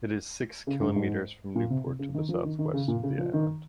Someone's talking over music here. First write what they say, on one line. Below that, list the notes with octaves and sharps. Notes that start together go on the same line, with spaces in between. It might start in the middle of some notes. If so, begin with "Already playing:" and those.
It is six kilometres from Newport in the southwest of the island.
C#3
G2
G#2
A#2
C3
C3
C#3
D#3
F3
D#3
D#3
C#3
A#2
C#3
F3
D#3